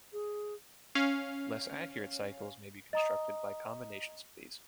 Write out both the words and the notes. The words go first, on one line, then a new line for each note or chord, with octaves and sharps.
Less accurate cycles may be constructed by combinations of these.
G#4
C#4 F5
D#5 A#5 D#6